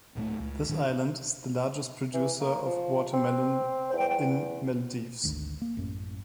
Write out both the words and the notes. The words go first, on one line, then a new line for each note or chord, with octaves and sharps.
This island is the largest producer of watermelon in Maldives.
D1 A#2 A3
C#2
D1 A#2 D#3 D4
E3
A#3
F3
C4
E2
G#1 D2
A#3
A1 F#2